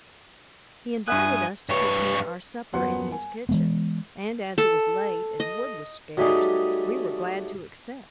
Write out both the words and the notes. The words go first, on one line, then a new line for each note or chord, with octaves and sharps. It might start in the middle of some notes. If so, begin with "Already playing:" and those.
He invited us to prepare our supper in his kitchen, and as it was late and wood was scarce, we were glad to accept.
G2 E5 G#5 D#6 F#6
G2 B4 C#5
D#1 F#2 B3 F#5 C6
G#5
E3 G#3 B3
A4
D#5
F#3 G3 A3 D#4 G4 G#4